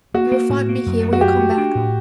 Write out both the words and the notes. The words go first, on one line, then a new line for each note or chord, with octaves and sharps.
"You will find me here when you come back."
A#3 F#4
A#3
A2
A#3
F#2
A3
F#4
F#2 G4
A3
D4
A2